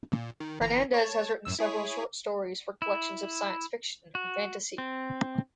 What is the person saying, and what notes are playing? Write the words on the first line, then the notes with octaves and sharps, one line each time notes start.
Hernandez has written several short stories for collections of science fiction and fantasy.
A#2
D#3
G1 E3 A#5
C#5 A5
F#2 A2 E6
E4 G#4 C#5
E4
F#4
C4